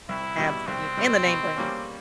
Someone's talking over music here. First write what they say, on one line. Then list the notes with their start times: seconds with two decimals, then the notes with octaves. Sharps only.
absolute and the name-brand.
0.09 C2 E4
0.37 B2 G3
0.67 C2 C4
0.97 B2 G3
1.27 B2
1.56 G3 A#3 C#4